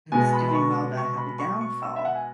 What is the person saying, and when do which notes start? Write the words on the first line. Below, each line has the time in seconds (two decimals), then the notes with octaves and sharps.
who's doing well to have a downfall."
0.12 B2 G#3 B3 G#5
0.33 B5
0.49 B5
0.55 C#6
0.97 C#6
1.18 B5
1.39 C#6
1.61 C#6
1.83 E6
1.96 E5
2.05 F#5
2.15 G#5